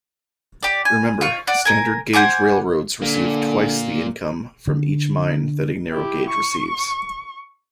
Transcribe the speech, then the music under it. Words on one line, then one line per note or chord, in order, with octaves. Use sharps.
Remember, standard-gauge railroads receive twice the income from each mine that a narrow-gauge receives.
G4 D5
G#5
F4 C#6
D5 F#5
A#4 G#5
C5 F#5 G#5 D6
A#2 D3
D3
E4 G4
C#6